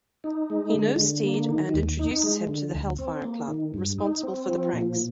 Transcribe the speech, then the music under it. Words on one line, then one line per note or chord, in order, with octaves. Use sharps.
He knows Steed and introduces him to the Hellfire Club, responsible for the pranks.
D#4
G#3
D3
D3
A#3
D#3
D#2
D#4
G#3
D3
D2
C4
A#3
D#3
G2
D#4
C4
F3
A#2